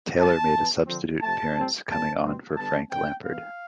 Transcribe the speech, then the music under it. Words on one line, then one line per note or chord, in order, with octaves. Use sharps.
Taylor made a substitute appearance coming on for Frank Lampard.
B2 G3 C4 A5
E3 B3
D3 F3 C4
C3 F3 A3 A5
A2 G3 C4
A2 G3 B3 A5
B2 G3 C4
D3 G3 B3 A5
D3 A3 C4 G5
E3 B3 F5